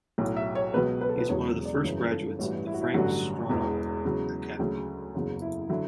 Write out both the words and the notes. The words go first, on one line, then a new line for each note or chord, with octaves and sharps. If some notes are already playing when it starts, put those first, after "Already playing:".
He is one of the first graduates of the Frank Stronach Academy.
B1 A2 F#3
E5
C#5
C#2 B2 F#3 B4
B4
A4
B4
E1 E2 C#3 F#3 C#5
D5
G1 F#2 C#3 E3 C#5
A4
A1 G2 E3 F#4
E4
F#4
E4
A1 G2 D3 F#3 F#4
E1 E2 B2
E2 C#3 F#3
D2 C#3 F#3
F#1 E2 C#3 F#3
E4
D3 F#3 E4